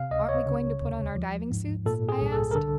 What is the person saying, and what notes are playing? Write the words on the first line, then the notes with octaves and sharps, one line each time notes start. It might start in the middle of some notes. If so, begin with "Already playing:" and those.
"Aren't we going to put on our diving suits?" I asked.
Already playing: C3 F5
C#2 D#5
C#5
C#3
D#2
F3
G#2
A#2 A4
G#4
C2
A4
A#4
D3 A4